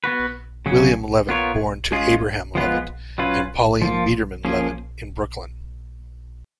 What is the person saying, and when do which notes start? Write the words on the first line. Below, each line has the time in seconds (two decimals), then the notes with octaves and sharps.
William Levitt born to Abraham Levitt and Pauline Biederman Levitt in Brooklyn.
0.04 B3 F#4 B4
0.66 C#3 F#3 C#4
1.29 B3 F4 A#4 C#5
1.92 G#3 C#4 F4 G#4
2.55 F3 G#3 B3 F4 B4
3.18 F#3 C#4 F4 B4
3.82 F3 A#3 F4
4.45 F3 A#3 C#4 G#4